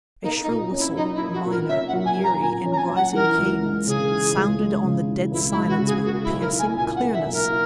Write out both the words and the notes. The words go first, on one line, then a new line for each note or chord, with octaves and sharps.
A shrill whistle--minor, eerie, in rising cadence--sounded on the dead silence with piercing clearness!
A#3 D#4
D#4
A#2
C#4
E4
F#3 D#4
E4
A#3
F#4
A#2
A#4
C#4 E5
F#5
F#3
G#5
A#3
A#5
A#2 G#5
C#4
A#5
G#5
F#3
F#5
E3 A#4
C#2
G#3
C#3 G#4
E3
C#2
G#3
C#3
E3
C#2 E4
E4
G#3
F#4
C#3
G#4
A#3 F#4
E4
B1
A#4
E4
G#5
A#2 G#5
F#5
A#3
E5
B1
A#4
E4